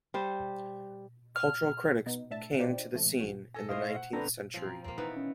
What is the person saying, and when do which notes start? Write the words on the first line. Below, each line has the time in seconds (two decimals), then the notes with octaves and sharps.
Cultural critics came to the scene in the nineteenth century.
0.14 G3 C5
1.36 F6
2.06 B2 B3 D#4
2.30 A2 D4 E5 A5
2.58 D4 D#4 F4 G4 C5 D5
2.93 A#2 C#3 F3 A3
3.21 A#1 G2 F#4
3.54 A4 G#5 A#6
3.69 A3 E4 C5 D#5 F5
3.94 F#5
4.13 G1 B3 C4 D4 A4 B4 A#5
4.54 F3 C4
4.66 A#5
4.84 A#3 C4
4.98 D#3 E3 B3
5.16 C#4